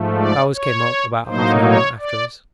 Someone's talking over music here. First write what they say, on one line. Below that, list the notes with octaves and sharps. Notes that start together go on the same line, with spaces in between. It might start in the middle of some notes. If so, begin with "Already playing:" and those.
Bowers came up about half an hour after us.
Already playing: G#2 F3 A3
D5
C#5
A2 F#3 A#3 D#4 C5
C#5
D5